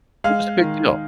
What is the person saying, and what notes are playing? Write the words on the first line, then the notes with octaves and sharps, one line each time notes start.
It was a big deal.
G#3 F5
D#3